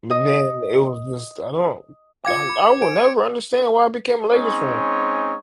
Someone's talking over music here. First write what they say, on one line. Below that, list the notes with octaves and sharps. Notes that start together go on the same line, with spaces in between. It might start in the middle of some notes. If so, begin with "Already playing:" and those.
but then it was just, I don't I I will never understand why I became a Lakers fan.
D#5 D#6
F4 F5 G5 D6 G#6 C#7
B5
C5 G#5 D7
G#3 C4 C#4 D#4 C#5